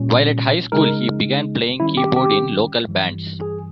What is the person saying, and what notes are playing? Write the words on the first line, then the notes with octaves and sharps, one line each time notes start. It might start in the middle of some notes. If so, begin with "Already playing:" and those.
While at high school he began playing keyboard in local bands.
Already playing: A#2 G3 C#4
C#3 G#3 D#4 A#4
D#3 G3 C#4 E4
G4
G4
G2 E3 G3
G#4